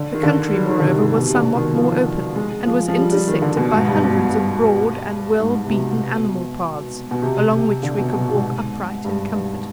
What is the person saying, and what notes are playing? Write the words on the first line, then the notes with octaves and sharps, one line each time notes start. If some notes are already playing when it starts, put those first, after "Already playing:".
The country, moreover, was somewhat more open, and was intersected by hundreds of broad and well-beaten animal paths, along which we could walk upright in comfort.
Already playing: D3
D#3
D3
G3
D#3
D3
C3
G#2
B2
C3
D3
D#3
F3
G#3
F3
F3
G3
G3
D#3
D3
B2
G#2
G2
G2
G#2
G2
G#2
C3
B2
B2
C3
C3
D3
B2
B2
G#2
G2
G2